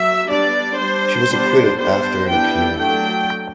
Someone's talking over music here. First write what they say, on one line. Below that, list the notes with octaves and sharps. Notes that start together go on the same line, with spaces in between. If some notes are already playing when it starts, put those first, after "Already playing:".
She was acquitted after an appeal.
Already playing: F#3 E5
G3 B3 D4 D5
G3 D4 C5
G3 B3 D4
G3 B3 D4 C5
E3 G3 B3 D4 G5
F#3 A3 D4 G5